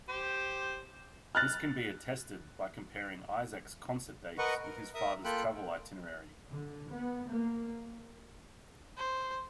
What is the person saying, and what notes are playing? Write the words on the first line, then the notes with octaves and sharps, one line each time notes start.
This can be attested by comparing Isaac's concert dates with his father's travel itinerary.
G4 C5
F6 F#6 A6
A#4 B4 D#5 F#5 C#6
A#4
A#4 E5 D#6
A#3 F4 A4 G5 B5 F#6
D3
B3
A#3
C5